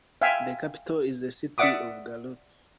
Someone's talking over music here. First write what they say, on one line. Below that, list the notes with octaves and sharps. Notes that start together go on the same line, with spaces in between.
The capital is the city of Garut.
E5 F5 G5 G#5
D5 E5 F#5 D6 D#6